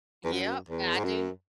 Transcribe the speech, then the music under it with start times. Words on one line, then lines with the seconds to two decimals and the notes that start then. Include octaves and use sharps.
Yep, I do
0.24 E2
0.32 F#2
0.69 E2
0.97 G#2
1.04 F#2